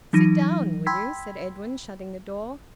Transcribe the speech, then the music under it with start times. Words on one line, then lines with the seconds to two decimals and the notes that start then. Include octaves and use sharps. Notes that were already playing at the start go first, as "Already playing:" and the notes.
"Sit down, will you?" said Edwin, shutting the door.
0.13 E3 F#3 D#4 A#6 D#7
0.86 G5 B5 C6 E6 G#6 B6